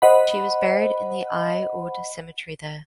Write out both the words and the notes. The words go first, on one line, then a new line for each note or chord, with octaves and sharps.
She was buried in the Al Oud cemetery there.
C5 D#5 F#5 B5